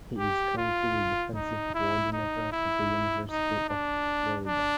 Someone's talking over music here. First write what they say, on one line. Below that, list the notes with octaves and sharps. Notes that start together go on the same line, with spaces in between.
He is currently the defensive coordinator at the University of Florida.
G4
F4
D#4
E4
D#4
E4
D#4
D4
D4